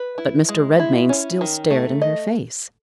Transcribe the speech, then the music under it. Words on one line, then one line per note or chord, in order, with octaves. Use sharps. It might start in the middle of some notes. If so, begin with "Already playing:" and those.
But Mr. Redmain still stared in her face.
Already playing: B4
E4
G#3
E4
C#4
D#3
A3
D#5